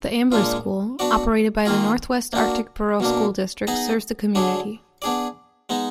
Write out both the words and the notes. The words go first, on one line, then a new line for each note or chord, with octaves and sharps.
The Ambler School, operated by the Northwest Arctic Borough School District, serves the community.
A#2 G#3 D4 F4
B3 D4 F#4 D5
D#3 A#3 F4 G#4
A#3 D4 F#4
B2 A#3 D4
B3 D#4 G#4 D#5
D3 F#3 D4 G#4
B3 D4 G#4 D5
G#3 B3 D#4